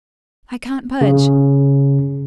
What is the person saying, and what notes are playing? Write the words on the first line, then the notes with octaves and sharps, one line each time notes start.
"I can't budge."
C#3